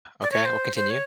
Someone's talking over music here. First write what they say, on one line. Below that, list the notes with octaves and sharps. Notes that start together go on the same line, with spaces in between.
Okay, well, continue.
D5
C#5
C5
C5
C#5